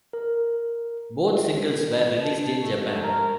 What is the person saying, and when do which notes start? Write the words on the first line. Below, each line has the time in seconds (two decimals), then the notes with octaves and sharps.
Both singles were released in Japan.
0.13 A#4
2.23 A5
2.61 A3
3.03 A#4